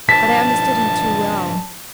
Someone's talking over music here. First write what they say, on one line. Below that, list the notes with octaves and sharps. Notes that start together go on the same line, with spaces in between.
But I understood him too well.
G2 F3 A5 B6